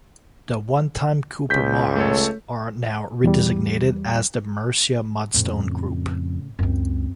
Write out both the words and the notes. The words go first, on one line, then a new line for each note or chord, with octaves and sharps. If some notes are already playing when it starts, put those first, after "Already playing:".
The one-time Keuper Marls are now redesignated as the Mercia Mudstone Group.
C#2 G6 B6
A3 A4 C#5
E2 G3
F2 A2 C#3
C#2 F#2 C4